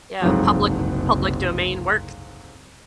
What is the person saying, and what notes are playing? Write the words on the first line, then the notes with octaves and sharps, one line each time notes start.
Yeah, public with public domain works.
F#1 C2 F2 G#2 F#3